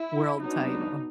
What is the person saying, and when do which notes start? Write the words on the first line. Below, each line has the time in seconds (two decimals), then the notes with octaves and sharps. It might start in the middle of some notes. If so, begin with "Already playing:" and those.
world title.
Already playing: E4
0.41 F#3 B3 D4 D#4